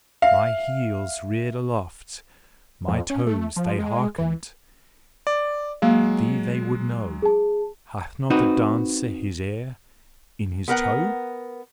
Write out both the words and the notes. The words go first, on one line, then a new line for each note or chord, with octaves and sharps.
My heels reared aloft, my toes they hearkened,--thee they would know: hath not the dancer his ear--in his toe!
E5 F5
F2
C#4
A3
F3
G#3
E3
D5
F#3 G#3 A#3
G#4 A5
C4 D#4 F#4 B4
B3 A#4 F#5